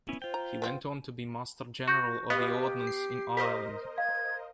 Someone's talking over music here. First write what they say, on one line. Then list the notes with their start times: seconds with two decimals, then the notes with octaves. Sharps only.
He went on to be Master General of the Ordnance in Ireland.
0.09 B3 C#4 E4
0.22 F4 C5 G5
0.34 A#5
0.62 B3 C4 F4
1.88 F#4 C#6 G6 A#6
2.30 B3 G4 B4 D#5 F5
2.87 C7
3.37 A#4 C5 D#5 B6
3.98 F5 G#6